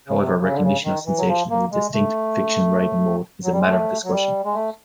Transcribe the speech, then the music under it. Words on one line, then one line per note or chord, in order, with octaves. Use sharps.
However, recognition of sensation as a distinct fiction-writing mode is a matter of discussion.
C#3
C3
C#3
D3
C#3
D#3
E3
F#3
F3
A#3
G#3
A3
F#3
G3
G#3
A3
F#3
G3
G#3
A3